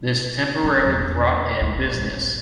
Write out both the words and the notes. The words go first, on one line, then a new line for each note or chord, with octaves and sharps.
This temporarily brought in business.
C#4
E2
D2
A1